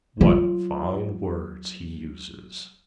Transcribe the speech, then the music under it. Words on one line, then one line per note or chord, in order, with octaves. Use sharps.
"What fine words he uses!"
F#3 F4